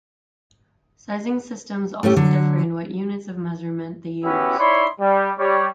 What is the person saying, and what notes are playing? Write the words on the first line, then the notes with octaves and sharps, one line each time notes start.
Sizing systems also differ in what units of measurement they use.
A2 A3 C#4 G4
D3 F#3
B3 C#4 E4 F#4 G4 B4
D#4 E4 C#5 D5 B5 C6
G3
G3 C#5